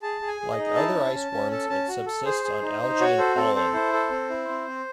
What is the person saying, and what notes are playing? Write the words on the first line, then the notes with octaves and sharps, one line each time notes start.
Like other ice worms, it subsists on algae and pollen.
G#4 A5
G#4
G#5
G#4
D#5
D#4
E4 A5
C#4
C#4
C#4
A4 A5
C#4 A5
F#4
A4
G#4 C5
G#4
D#4
D#4
F#4 C#5
A4 C5
C4 A4
A4 C5
E4 C5
A4
C4
E4
C4
C4